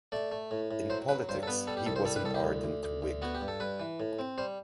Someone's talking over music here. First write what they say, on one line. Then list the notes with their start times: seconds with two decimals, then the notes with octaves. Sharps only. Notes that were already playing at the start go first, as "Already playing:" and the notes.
In politics he was an ardent Whig.
0.12 A3 D5
0.31 A3
0.51 A2
0.71 A2
0.90 F#3 C5
1.08 F#3 B4
1.29 G2 C5
1.43 A4
1.47 B3 B4
1.67 G3 A4
1.77 G4
1.86 C2 A4
1.96 C5
2.05 G3 A4
2.16 B4
2.25 C2 A4
2.35 G4
2.44 D2
2.64 D2
2.83 D2
3.02 D2
3.22 B3 F#4
3.35 G4
3.41 G2
3.48 A4
3.60 G2 B4
3.80 E3
4.00 A2
4.19 C4
4.38 G3 C5